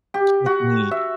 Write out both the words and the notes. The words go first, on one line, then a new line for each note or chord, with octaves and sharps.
took me
G4
F#4
E5